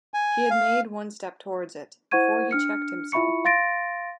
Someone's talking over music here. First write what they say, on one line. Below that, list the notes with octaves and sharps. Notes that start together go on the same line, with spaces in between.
He had made one step towards it, before he checked himself.
G#5
F5
E4 C5 F#5 C#6 G#6 D#7
D4 F6 C#7
E4 F4 E5 B5 C#6 C#7
F5 C6 A6 A#6 D7